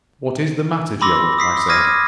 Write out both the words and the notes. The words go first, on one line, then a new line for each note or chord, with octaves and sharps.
"What is the matter, Job?" I said.
B5 C6 D6 E6 A#6
D#6 B6 C7
D6 D#6 F6 G#6 A#6 D#7